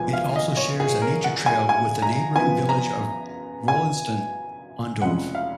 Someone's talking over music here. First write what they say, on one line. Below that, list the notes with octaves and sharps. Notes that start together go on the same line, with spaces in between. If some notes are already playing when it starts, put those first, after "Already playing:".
It also shares a nature trail with the neighbouring village of Rolleston on Dove.
Already playing: B1 A#2 F3 G#3 B3 G#5
F5
D#5
C#5
G#4
A#4
F#5
G#5
G#5
A#5
F#2 F3 B3 G#5
A#5
G#5
F1 F2 C#3 G#3 F#5
F5